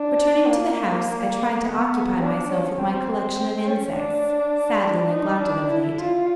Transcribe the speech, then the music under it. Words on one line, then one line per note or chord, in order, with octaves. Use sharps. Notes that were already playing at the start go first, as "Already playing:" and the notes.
Returning to the house, I tried to occupy myself with my collection of insects, sadly neglected of late.
Already playing: D4
A#3
B3
D4
C#4
C4
C4
C#4
D4
D#4
D4
E4
F4